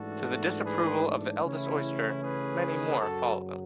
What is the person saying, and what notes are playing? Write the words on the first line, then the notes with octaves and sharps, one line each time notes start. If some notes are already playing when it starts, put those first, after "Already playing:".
To the disapproval of the eldest oyster, many more follow them.
Already playing: G#2 E3 A3 D4 F#4 A4
G#4 B4
C#3 E3 A3 C#4 E4
G#4 B4
F#2 C#3 F#3 F#4 A4